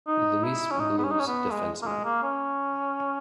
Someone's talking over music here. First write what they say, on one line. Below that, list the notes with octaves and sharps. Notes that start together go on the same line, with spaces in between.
Louis Blues defenseman.
D#4
E4
C#4
D#4
B3
C#4
D#4
C#4
B3
G#3
A#3
G#3
A#3
C#4